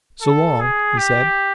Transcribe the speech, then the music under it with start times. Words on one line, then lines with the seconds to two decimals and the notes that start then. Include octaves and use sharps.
"So long," he said.
0.22 A4
0.60 G#4
0.98 G4